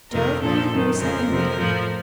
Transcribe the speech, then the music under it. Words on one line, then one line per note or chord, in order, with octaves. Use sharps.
Gerald needed no second bidding.
F2 C3 D#3 A#4
A#2 F3 A4
F#2 D#3
F2 C#3 F3 A#4
F2 C3 F3
A2 F3